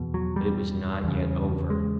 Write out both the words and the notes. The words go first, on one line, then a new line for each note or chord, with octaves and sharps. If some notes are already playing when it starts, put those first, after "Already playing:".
But it was not yet over.
Already playing: E2 B2
F#3
G3
E2 C#3
G#3